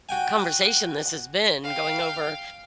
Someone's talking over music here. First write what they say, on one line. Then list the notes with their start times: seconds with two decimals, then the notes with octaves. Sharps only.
conversation this has been, going over
0.09 F#4 G5 G#5
1.63 F5 G5